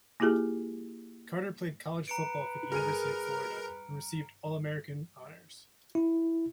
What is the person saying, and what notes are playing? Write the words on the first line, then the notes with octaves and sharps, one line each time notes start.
Carter played college football for the University of Florida, and received All-American honors.
A#3 E4 F4 G4 G#4
B4 A#5 C#7 D7
G#4 A#4 F6 D#7
E4